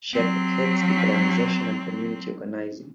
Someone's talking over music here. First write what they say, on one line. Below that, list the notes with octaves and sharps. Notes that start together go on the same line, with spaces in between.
She advocates decolonization and community organizing.
F#3 C4